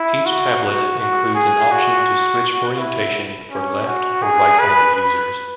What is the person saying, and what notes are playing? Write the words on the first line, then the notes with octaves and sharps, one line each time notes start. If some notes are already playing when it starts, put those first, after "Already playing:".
Each tablet includes an option to switch orientation for left- or right-handed users.
Already playing: E4
F#4
F#4
F#4
G#4
F#4
E4
C#4
F#4
G#4
B4
B4